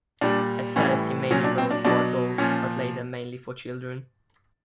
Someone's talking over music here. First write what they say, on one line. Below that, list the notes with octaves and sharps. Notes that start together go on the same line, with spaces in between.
At first he mainly wrote for adults, but later mainly for children.
A#2 G3 D4
A2 E3 G3 C#4
A#2 F#3 C#4
D4
C4
D4
B2 F#3 D4
A#2 F3 C#4